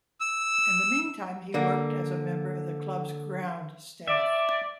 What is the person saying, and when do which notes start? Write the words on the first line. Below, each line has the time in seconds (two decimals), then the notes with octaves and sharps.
In the meantime, he worked as a member of the club's ground staff.
0.20 E6
1.54 D3 A#3
4.08 D5 E5